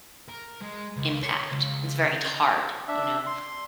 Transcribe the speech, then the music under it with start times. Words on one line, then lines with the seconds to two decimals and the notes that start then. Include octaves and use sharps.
impact, it's very d hard, you know?
0.29 A#4
0.62 G#3
0.97 C#2
1.23 C#5
1.52 C#2
2.88 D4 E5
3.27 C6